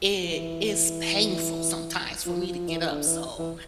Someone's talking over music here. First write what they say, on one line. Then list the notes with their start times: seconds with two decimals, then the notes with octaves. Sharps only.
it is painful sometimes for me to get up so
0.23 F3
0.31 E3
2.26 F3
2.48 F3
2.68 E3
2.80 E3
2.90 D3
3.07 E3
3.38 E3